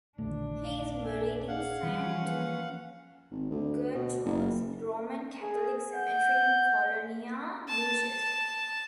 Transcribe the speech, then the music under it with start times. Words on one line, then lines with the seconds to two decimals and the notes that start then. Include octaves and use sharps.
He is buried in Saint Gertrude's Roman Catholic Cemetery in Colonia, New Jersey.
0.18 D#1 A#1 D3 A3 D4
0.65 F5
1.04 E5 G#5
1.48 G#4 F5 F#5
1.83 E3 F3 G3 C#4
2.26 A#3 B4
3.31 G#1
3.51 D2
3.94 B2
4.25 F#1
5.42 G#4
5.93 F#5 G6
7.68 A5